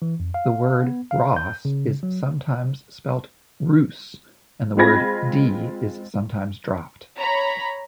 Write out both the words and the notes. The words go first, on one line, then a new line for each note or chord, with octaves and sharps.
The word "Ros" is sometimes spelt "Roos", and the word "de" is sometimes dropped.
E3
F2
F5
B3
F5
G6
C#3
F#3
G#3 C4 F4 B5 G#6 A#6
C#5 A#5 B5